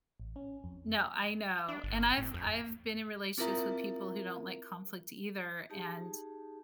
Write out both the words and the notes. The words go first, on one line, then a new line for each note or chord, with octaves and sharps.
No, I know. And I've I've been in relationships with people who don't like conflict either, and
A1
C#4
F2
D4
G1
A2
F2
C4 E4 F4 A#4 E5 A#5
D#4 G4 G#4 A5